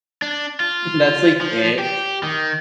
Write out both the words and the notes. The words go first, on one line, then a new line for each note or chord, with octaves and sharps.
that's, like, it.
D4
F4
F3
G4
D#3